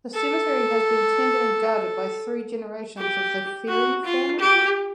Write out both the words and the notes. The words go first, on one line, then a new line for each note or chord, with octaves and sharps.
The cemetery has been tended and guarded by three generations of the Feri family.
A4
G4
F#4
F4
G4